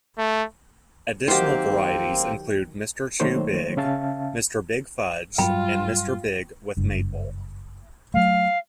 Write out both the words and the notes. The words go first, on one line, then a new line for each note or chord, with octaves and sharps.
Additional varieties include Mr. Chew Big, Mr. Big Fudge, and Mr. Big with Maple.
A3
D#3 F#3 A#3 C4 G4 C5
D#3 F#3 A3 A#3 C5 C#5
C#3 C#4 E5 F5 A5
G2 F#3 G3 F4 G5 B5
F#1 G2
F#3 A3 F5